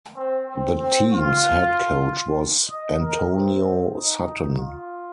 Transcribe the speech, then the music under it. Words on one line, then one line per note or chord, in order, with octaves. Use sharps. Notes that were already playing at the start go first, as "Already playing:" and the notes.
The team's head coach was Antonio Sutton.
C4
C4
C4
F4
D#5
A#4
C4
D#4
F4